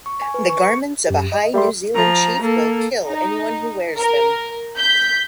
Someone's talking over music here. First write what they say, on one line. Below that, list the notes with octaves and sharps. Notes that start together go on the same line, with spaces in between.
The garments of a high New Zealand chief will kill anyone who wears them.
C#6
G#5
B4
C#6
C#7
F#2 G4
D#5
G3 A#4 E5 C6
F3 A#5
A#3 A4
D#4
A#4
G6 B6